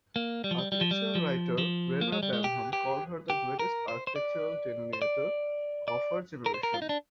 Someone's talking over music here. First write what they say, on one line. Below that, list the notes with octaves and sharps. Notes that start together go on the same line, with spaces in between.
Architectural writer Reyner Banham called her the "greatest architectural delineator of her generation".
A#3
G3
F3
G3
G3
F3
G3
F3
F3
A#3
G#3
G3
G#3
G4
G4
G4
A#4
C5
C5
D5
C5
D5
D5
A#4
C5
A#4
F4
D#4
D4